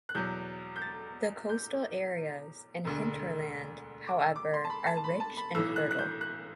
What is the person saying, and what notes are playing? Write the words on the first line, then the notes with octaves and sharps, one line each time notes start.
The coastal areas and hinterland, however, are rich and fertile.
F#6
E2 B2 F#3 G6
G6
A6
G6
E1 D2 D3
D6
E6
D6
C6
A5
B5
A5
A5
B5
A5
B5
B1 A2 E3 E6
F#6
F#6
G6
F#6